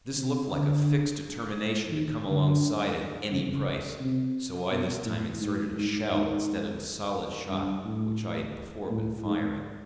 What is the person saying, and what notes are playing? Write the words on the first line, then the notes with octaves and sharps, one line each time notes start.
This looked like a fixed determination to come alongside at any price, so I this time inserted a shell instead of a solid shot, which I had before been firing.
C3
D3
D#3
D3
C#3
C3
B2
A2
G#2
G#2
G#2
G2
A2
A2
G#2